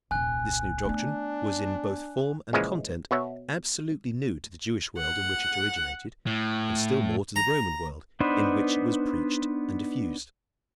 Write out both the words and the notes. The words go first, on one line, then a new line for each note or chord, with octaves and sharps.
This new doctrine was in both form and content absolutely new to the Jewish world in which it originated, and still more to the Roman world in which it was preached and diffused.
D#1 C2 G#5 F#6
A3 B3 D4
A#2 C#3 E3 F3 G#3
B2 B3 C#5 E5
F#5
A2
A#5
B3 D4 D#4 B4 C5